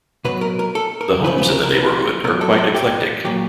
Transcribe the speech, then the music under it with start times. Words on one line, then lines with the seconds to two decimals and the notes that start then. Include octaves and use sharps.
The homes in the neighborhood are quite eclectic.
0.25 B2 F#3 B4
0.41 A#4
0.59 A#4
0.75 A4
1.01 A#4
1.24 C#3 F3 B4
1.38 B4
1.50 A#4
1.63 A#4
1.74 B4
2.24 B2 A#4
2.27 F#3
2.41 A4
2.53 A#4
2.58 A4
2.75 G4
3.25 A#2 F#3 G4